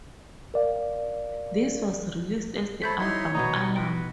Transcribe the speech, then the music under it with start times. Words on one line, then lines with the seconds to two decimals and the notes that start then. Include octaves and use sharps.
This was released as the album "Alarm".
0.54 A#4 D5 F5
2.82 A3 A4 C5 C#5 B5 G6 B6
3.00 D#4 E4 C#5 C6 G#6
3.35 B2 B3 D#4 G#5 A#5
3.76 F#4 B4 G5